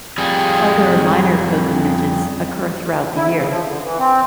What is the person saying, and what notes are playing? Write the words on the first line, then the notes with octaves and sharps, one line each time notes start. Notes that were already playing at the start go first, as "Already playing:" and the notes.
Other, minor pilgrimages occur throughout the year.
F2 G3 G#4
E4
C#3
F3
D3
E3
C4